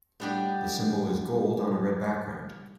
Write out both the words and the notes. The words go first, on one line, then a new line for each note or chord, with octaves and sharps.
The symbol is gold on a red background.
A2 G3 B3 D4 G4 D#5 G5